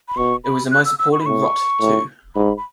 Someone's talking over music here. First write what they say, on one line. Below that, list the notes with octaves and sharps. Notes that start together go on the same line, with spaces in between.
It was the most appalling rot, too.
B5
B2 C#6
B5
F#6
E6
E6
C#6
B5
A2 C#6
A2
G#2 B5
B5